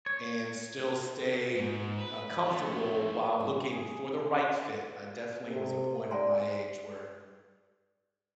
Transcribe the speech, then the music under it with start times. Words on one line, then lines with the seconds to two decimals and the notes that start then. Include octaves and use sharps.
and still stay, uh, comfortable while looking for the right fit. I definitely was a point at my age where
0.06 C#5
1.55 G#2
1.98 B4
2.48 F3 A3
3.40 G3
3.72 G#4
5.51 C3
6.11 D#4 D5 E5 G#5 A#5 C6